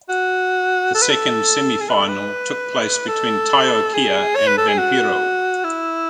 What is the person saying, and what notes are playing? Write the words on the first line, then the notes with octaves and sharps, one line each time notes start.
The second semifinal took place between Taiyo Kea and Vampiro.
F#4
A4
B4
A4
G#4
B4
A4
B4
A4
G#4
C#5
B4
A4
G#4
F#4
E4